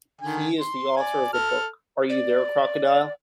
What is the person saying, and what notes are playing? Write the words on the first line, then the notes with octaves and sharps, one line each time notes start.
He is the author of the book Are You There, Crocodile?
D3 D#3 G#5
C6
D5 G#5
A4 F6
D5